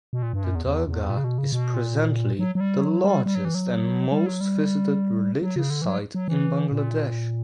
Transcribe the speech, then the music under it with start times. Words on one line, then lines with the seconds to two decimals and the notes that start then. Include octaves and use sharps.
The Dargah is presently the largest and most visited religious site in Bangladesh.
0.13 B2
0.22 A#2
0.33 G2
0.44 F#2
0.55 E2
0.66 E2
0.88 E2
1.10 A#2
1.17 C#3
1.24 B2
1.38 C#3
1.52 B2
1.74 A#2
2.39 F#3
2.55 F#3
2.60 G3
2.82 F#3
3.04 G3
3.26 G3
3.35 F#3
3.45 E3
3.55 F#3
4.12 G3
4.26 F#3
4.41 G3
5.42 F#3
5.56 C#3
5.70 D3
5.82 E3
5.85 F#3
6.15 F#3
6.28 E3
6.72 A#2